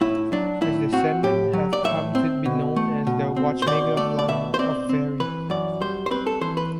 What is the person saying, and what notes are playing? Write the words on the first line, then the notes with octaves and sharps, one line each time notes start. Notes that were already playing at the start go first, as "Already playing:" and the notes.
His "descendants" have come to be known as the Watchmaker line of Feri.
A2 E4
F#3 D4
A2 E4
C4 F#4
A2 G4
F#3
D5
A2 E5
C4
B2
A3
B2
C4
C5
B2 D5
A3 D5
D5
B2 E5
C5
C4 D5
C4
E3 B4
F#2 D5
G3 C5
C5
C4 B4
A4
E3 C5
B4